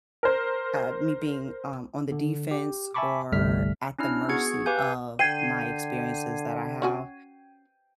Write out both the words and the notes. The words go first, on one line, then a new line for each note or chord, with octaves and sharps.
uh, me being, um, on the defense or at the mercy of my experiences that I have,
A#4 C5
D3
G4
E5 G#5 A5 B5 C#6 D6
G1 C2 G3 A3 F6 B6
C#4 D4 E4 F6
B3 F#4 G#4 G#6 C#7
G4 B4 F5 G#5 G6
D3 G5 G#6 C7 D#7
C#4 F#4 G#5